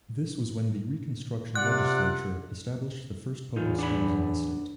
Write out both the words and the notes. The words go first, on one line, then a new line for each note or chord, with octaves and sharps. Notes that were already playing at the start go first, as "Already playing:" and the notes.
This was when the Reconstruction legislature established the first public schools in the state.
C3 F4 D5 F#5 F#6
E2 A2 E3 D#4 F4
D4 F#5 B5